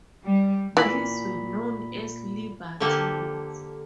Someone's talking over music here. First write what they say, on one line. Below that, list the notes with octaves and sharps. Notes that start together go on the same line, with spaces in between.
These were known as "Liberty" notes.
G3
A#2 E3 B5
D3 F3 A#3 G4 A4